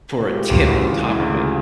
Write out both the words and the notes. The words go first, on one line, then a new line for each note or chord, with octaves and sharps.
for a tip on top of it?
F#4
G#3 F4 G4
D2 F4 G4
C#3 E4 F#4
E3 F4
G#3
E4
D2
C#3 F4